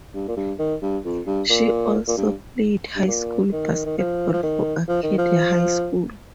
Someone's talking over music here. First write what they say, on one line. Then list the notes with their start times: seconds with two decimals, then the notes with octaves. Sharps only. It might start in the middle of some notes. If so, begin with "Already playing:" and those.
She also played high school basketball for Arcadia High School.
0.14 G2
0.28 A#2
0.37 G2
0.59 D#3
0.82 G2
1.05 F2
1.27 G2
1.50 A#2
2.08 A#2
2.17 G2
2.96 G2
3.08 A#2
3.53 D#3
3.86 D#3
3.98 F3
4.33 F3
4.43 D#3
4.88 F3
5.03 D#3
5.18 F3